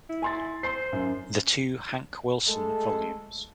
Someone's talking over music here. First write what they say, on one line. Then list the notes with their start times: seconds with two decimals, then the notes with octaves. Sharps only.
The two Hank Wilson Vol.
0.09 E4
0.22 G#5 C6 A6
0.63 C5 C6 C7
0.93 F#2
2.48 G#3 A3 A4